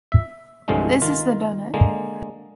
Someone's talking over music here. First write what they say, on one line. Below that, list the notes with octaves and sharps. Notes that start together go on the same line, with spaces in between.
This is the donut.
E5
C2 G2 D3 F3 G#3 A3
D#3 F4
D3 G#3 A#3